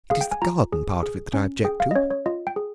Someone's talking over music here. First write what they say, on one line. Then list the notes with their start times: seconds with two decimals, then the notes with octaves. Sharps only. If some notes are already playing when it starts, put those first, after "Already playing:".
It is the garden part of it that I object to.
0.10 G#4 F5
0.21 G5
0.31 G#5
0.42 F4 A#5
0.72 G#4
1.03 G#4
1.34 C#4
1.65 G#4 G5
1.80 F5
1.91 D#5
1.96 C#4 C#5
2.11 C#5
2.26 F4 D#5
2.47 G5
2.56 G#4